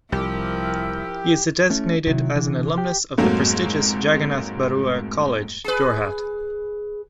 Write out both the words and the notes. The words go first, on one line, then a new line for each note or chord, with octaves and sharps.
He is designated as an alumnus of the prestigious Jagannath Barooah College, Jorhat.
C2 F3 E4 G4 A#4 E6
A3 C#4 E4
C3 D#3 F#3 E4
D3 E3
G4
F2 G#2 F#3 A3 A#3
G#4 B4